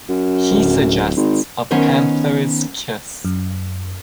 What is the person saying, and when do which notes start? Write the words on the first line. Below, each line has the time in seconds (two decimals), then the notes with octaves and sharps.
He suggests a Panther's Kiss.
0.09 F#2
0.51 D1
1.16 G#1
1.71 D#3 B3 C#4 C5 C#5
3.25 F#2